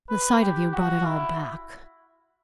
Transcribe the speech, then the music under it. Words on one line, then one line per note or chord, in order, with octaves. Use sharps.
The sight of you brought it all back.
B4
G4
F#4
E4